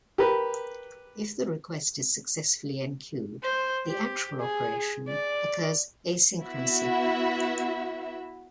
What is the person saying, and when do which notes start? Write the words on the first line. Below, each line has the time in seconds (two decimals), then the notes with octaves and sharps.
If the request is successfully enqueued, the actual operation occurs asynchronously.
0.18 G4 A#4 B4
3.43 C5
3.87 G4
4.40 G#4
5.08 D5
6.42 B3 E4 F#4 E5